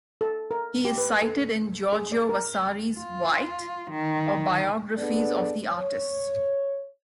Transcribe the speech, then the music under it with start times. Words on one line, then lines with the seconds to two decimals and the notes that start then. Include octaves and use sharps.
He is cited in Giorgio Vasari's "Vite" or biographies of the artists.
0.21 A4
0.51 A#4
0.85 G4
0.98 B4
1.22 A4
1.93 G#4
2.12 D5
2.29 A#4
2.97 F4
3.90 D#3
4.98 B3 D4 G#4 A4 D5
5.71 C#5